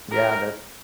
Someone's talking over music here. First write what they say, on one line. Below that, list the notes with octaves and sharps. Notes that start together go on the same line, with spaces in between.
Yeah. That's
A#4